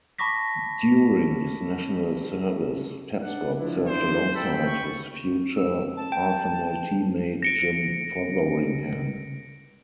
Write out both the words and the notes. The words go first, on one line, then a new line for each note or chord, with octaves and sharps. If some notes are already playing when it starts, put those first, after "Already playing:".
During his national service, Tapscott served alongside his future Arsenal team mate Jim Fotheringham.
A5 B5 C#6 D6 A#6 B6
D4 F#5
F3 D4 E4
C5
A4 G5 B5
C#6
E6
A5
G5
A#6 C#7 D7